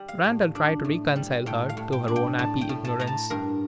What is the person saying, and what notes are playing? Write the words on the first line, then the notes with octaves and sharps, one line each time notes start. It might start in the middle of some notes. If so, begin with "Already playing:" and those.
Randal tried to reconcile her to her own happy ignorance.
Already playing: G3
F5
A2
D4
A2
G3
A2 G5
F5
A2
G5
D4
G5
A2 A5
G5
A2
A5
A2 A#5
A5
G2 A#4